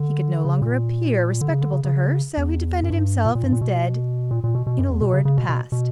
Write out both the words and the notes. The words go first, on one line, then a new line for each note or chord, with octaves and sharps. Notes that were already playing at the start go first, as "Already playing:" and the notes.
He could no longer appear respectable to her, so he defended himself instead in a lurid past.
Already playing: D3
C#3
A#2
D3
C#3
D3
C#3
C#3
E2
F#2
G2
A#2
A#2
G2
A#2
B2
A#2
A#2
B2
B2
F#2
E2
B2
C#3
C#3
B2
B2
B2